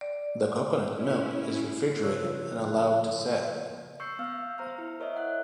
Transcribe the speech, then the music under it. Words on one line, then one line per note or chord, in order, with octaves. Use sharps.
The coconut milk is refrigerated and allowed to set.
D5
C#4 E4
C#3 F3 C#5 E6 F#6
C#6 E6 G6 C7 C#7
B3 F5 E6 F6
C5 A#5 F6
E4
A#4 C#5 D#5 E5
C#5 F#5 F#6